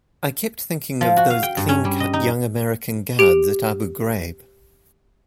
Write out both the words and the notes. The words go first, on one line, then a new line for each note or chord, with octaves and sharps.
I kept thinking of those clean-cut young American guards at Abu Ghraib.
F3
F#4
F5
G5
G2
C#4
G3
D#5
D#4
G4 D7